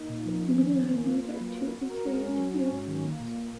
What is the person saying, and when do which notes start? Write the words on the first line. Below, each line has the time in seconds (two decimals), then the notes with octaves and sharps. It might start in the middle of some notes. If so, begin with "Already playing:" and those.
In human anatomy, there are two anterior tibial veins.
Already playing: A#3 D#4
0.09 A#2
0.25 F3
0.42 C#4
0.58 D#3
0.74 D#3
0.91 A#3
1.07 F4
1.24 B4
1.40 F#3
1.57 A#3
1.73 F#4
1.89 A#4
2.06 G#3
2.22 C#4
2.38 F#3
2.55 C#4
2.71 G#2
2.87 D#3
3.03 A#3
3.20 A#2
3.36 A#2